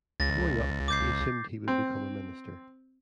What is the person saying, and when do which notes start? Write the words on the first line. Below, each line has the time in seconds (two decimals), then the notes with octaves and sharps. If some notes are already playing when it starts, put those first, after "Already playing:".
Growing up, he assumed he would become a minister.
0.20 C#2 A6 A#6
0.88 D6 G6 C7
1.68 C4